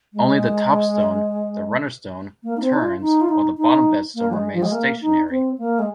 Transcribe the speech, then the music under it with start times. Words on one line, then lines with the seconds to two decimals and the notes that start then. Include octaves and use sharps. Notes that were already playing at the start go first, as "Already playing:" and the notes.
Only the top stone, the runner stone, turns, while the bottom bedstone remains stationary.
0.14 G#3
2.43 A#3
2.57 D#4
2.62 C4
2.73 D#4
2.81 F4
3.01 D#4
3.21 F4
3.29 D#4
3.57 D#4
4.15 A#3
4.30 F3
4.33 G#3
4.53 F3
4.63 G#3
4.72 A#3
5.01 D#4
5.29 C4
5.58 A#3
5.79 G#3